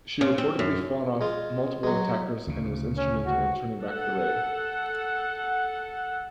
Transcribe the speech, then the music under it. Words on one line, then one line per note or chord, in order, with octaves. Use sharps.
She reportedly fought off multiple attackers and was instrumental in turning back the raid.
C#3
C4
F#2
G#3 F4
F#3 G#3
D2 C#3
C#4
F#4
A4 F#5